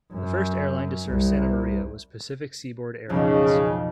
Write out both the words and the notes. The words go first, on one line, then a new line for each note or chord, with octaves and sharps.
The first airline to serve Santa Maria was Pacific Seaboard Air Lines.
F#2
C2
B1 F2 C#3